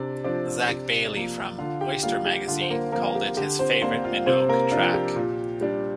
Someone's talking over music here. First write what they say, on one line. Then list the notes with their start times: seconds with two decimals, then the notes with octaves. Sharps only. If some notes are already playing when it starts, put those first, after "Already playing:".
Zac Bayly from "Oyster Magazine" called it his favourite Minogue track.
Already playing: C3 D4 D5
0.24 F3 C4 D4 D5
0.69 C3
1.14 F3 A#3
1.59 D3 F4 F5
1.81 G4 G5
2.03 G3 A#3 F4 F5
2.25 G4
2.48 D3 F4
2.61 C5
2.70 A#3 A#4
2.92 F3 A#3 C4 A#4
3.15 G4
3.37 D3 G4
3.59 C4 C5
3.82 A#3 C4 D4 C5
4.04 F4 F5
4.26 C3 C4 C5
4.49 A#3 A#4
4.71 F3 D4 F4
4.94 G4
5.16 A#2
5.61 G3 D4